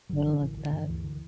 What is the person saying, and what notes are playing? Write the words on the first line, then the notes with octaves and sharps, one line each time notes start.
Little of that.
G1 F#3
D3 E3
A1 E3
D3 E3
G2 D3
D2 E3
D3